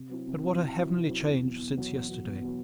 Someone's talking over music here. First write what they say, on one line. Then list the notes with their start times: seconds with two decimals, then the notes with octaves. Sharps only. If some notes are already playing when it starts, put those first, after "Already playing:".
But what a heavenly change since yesterday!
Already playing: C3
0.09 F#3 C4 E4
0.27 C3
0.43 F#3 C4 E4
0.60 C3
0.76 F#3 C4 E4
0.92 C3
1.08 F#3 C4 E4
1.26 E2
1.42 B2 F#3
1.59 E2
1.74 B2 F#3
1.91 E2
2.08 B2 F#3
2.25 E2
2.40 B2 F#3